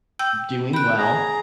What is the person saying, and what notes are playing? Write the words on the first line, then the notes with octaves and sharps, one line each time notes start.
doing well,
G5 E6 G6
G5 B5 F#6
G#4 A#5